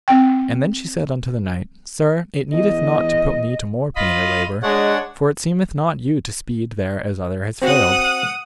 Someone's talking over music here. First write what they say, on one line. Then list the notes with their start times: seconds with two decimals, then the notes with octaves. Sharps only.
And then she said unto the knight, Sir, it needeth not to put me to more pain or labour, for it seemeth not you to speed there as other have failed.
0.08 C4 G5
2.53 E2 D#5
3.96 F4 D#5 B5
4.63 G#3 D4 C#5 F#5
7.62 C4 F#4 F#5 D#6